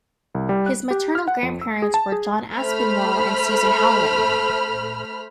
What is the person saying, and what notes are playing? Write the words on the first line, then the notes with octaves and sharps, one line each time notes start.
His maternal grandparents were John Aspinwall and Susan Howland.
C2
G3
F#6
G4
F6
F#5
F2
E6
G#4
A5
G#4
A3 C5 B5 F6